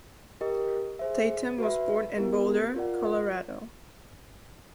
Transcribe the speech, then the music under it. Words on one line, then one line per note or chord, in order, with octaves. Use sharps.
Tatum was born in Boulder, Colorado.
G4 A#4 D#5
G#4 C5 E5
F#4 B4 E5
B3 E4 G4 A#4
F4 A#4 D5 F#5